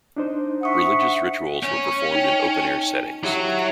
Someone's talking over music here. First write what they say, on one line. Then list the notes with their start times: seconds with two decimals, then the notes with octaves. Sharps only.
Religious rituals were performed in open air settings.
0.17 D4 D#4 C5
0.63 E5 F#5 C#6 D#6
1.63 C#4
2.15 D#4 G5
3.24 F#3 E4 G4 E5